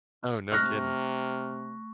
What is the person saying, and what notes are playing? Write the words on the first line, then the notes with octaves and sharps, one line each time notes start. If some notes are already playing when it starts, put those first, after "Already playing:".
Oh, no kidding.
C3 A3 C#6 F6 F#6 A#6